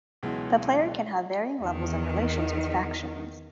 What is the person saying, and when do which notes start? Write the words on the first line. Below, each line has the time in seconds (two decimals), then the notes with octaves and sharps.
The player can have varying levels of relations with factions.
0.23 C#2 B2 E3 F#3 G#3
1.60 E2 D#3